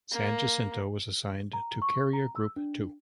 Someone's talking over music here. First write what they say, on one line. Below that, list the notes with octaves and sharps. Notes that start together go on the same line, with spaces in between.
"San Jacinto" was assigned to Carrier Group Two.
A#3
A#5
C#6
A#5
E6
D4